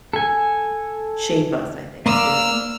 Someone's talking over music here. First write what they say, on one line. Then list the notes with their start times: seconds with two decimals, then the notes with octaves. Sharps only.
shape us, I think, too.
0.13 A4 G#5
2.06 A#3 D5 E6 F6